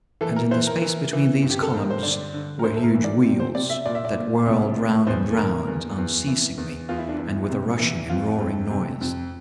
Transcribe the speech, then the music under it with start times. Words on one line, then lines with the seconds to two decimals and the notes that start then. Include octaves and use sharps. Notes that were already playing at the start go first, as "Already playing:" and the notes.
And in the space between these columns were huge wheels, that whirled round and round unceasingly, and with a rushing and roaring noise.
0.21 E3 A4
0.36 A#4
0.51 E3 C5
0.67 A#4
0.82 E3
1.13 E3
1.42 G2
1.50 G4
1.62 A4
1.74 G2 A#4
1.90 C5
2.03 D3 D5
2.33 D3
2.59 A#4
2.64 D2 C5
2.76 A4
2.84 A#4
2.95 E3
3.04 D5
3.25 C3
3.40 C5
3.55 C3 D5
3.70 E5
3.86 A#2 D5
3.95 E5
4.05 D5
4.15 A#2
4.46 C2
4.76 A#2
5.07 E2 C5
5.33 A4
5.37 D3 A#4
5.68 E2
5.98 E2
6.28 E3
6.58 E2
6.89 E2 F4
6.98 E4
7.09 D4
7.17 E2 E4
7.50 C3
7.79 E3
8.10 F2 F4
8.40 F2
8.70 C3
9.01 F2